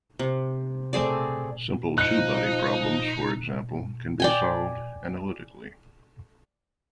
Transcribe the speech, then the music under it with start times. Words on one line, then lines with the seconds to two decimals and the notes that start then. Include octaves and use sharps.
Simple two-body problems, for example, can be solved analytically.
0.19 C3
0.93 A3 C4 G#4 D5
1.98 F3 D#4 F#6 C#7
4.20 D5 G5 G#5